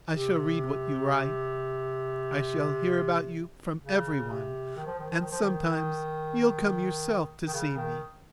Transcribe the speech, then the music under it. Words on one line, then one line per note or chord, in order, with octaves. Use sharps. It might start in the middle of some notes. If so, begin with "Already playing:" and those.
I shall read what you write, I shall hear about you from everyone, and sometimes you'll come yourself to see me.
C3
C#3
C3
D#3
F3
D#3
F3
D#3
F3
D#3
D#3
D#3
C#3
D#3